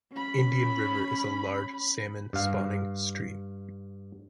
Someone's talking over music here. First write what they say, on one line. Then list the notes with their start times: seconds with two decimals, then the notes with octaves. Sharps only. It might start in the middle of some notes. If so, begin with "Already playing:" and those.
Indian River is a large salmon-spawning stream.
0.12 C#4 B5
2.33 G2 F5